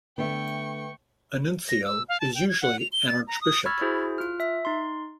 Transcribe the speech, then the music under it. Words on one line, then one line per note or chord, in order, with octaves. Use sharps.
A nuncio is usually an archbishop.
D3 A3 B3 E5 G5 C#6
A#6
E6
F5
A5
G5
G#6
F#5
F7
G7
A6
A#5
D#6
B5 C#6 E6 F6 G#6 A6
E4 F#4 G#4 C5
F4 F6
E5
D#4 C6